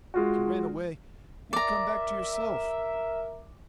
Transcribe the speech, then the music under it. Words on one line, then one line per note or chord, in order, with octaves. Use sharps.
If you ran away, you'd come back to yourself.
G#3 F4 F#4
A#4 D5 E5 A#5